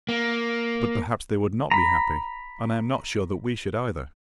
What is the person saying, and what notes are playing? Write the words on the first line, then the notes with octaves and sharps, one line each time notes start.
But perhaps they would not be happy, and I am not sure that we should either.
A#3
A#5 B5